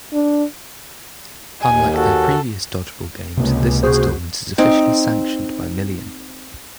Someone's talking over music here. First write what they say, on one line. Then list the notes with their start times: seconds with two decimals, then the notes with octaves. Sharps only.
Unlike their previous Dodgeball games, this installment is officially sanctioned by Million.
0.13 D4
1.62 D#2 G#5
1.97 F#4 A4
3.37 C#2 C3 A#3
3.83 F#4 G#4 C5
4.58 C4 D#4